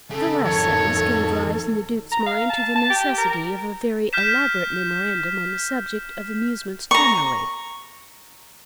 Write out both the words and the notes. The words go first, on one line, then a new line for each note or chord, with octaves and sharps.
The last sentence gave rise in the Duke's mind to the necessity of a very elaborate memorandum on the subject of amusements generally.
C#3 A4
F2 D#3 C#5
A#5
F5
A5
A5
G4
A#4
F6 G6 B6 E7
A#5 C#6